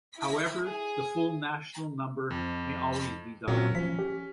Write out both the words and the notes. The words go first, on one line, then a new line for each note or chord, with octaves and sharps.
However, the "Full National Number" "may" always be dialled.
E4
G#4
F2
A#2 F#3 C4 C#4
F3 C#4 B6
G4